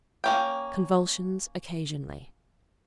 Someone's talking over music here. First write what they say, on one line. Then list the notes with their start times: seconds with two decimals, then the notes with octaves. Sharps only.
Convulsions occasionally.
0.24 A#3 C#4 G5